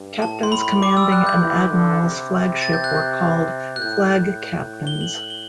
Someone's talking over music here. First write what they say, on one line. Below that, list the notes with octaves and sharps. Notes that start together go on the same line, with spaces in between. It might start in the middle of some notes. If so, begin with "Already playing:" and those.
Captains commanding an admiral's flagship were called "flag captains".
Already playing: G2
A2 A5
C6
B5
G3 D6
E6
F#6
G6
E3
D3
C3
A6
G6
F#6
G6
F#6
A2 G6
G7
F#7
G7